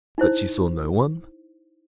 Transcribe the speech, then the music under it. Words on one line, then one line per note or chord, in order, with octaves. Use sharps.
"But she saw no one?"
D#4 E4 C5